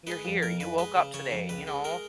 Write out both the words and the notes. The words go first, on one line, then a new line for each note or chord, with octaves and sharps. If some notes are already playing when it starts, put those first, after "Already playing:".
you're here, you woke up today, you know?
G#3 B4
F2
F2 A#4
F2 B4
G#3 B4
C#3
C#3 C#5
F2
C#2 B4
G#3
G#3 A#4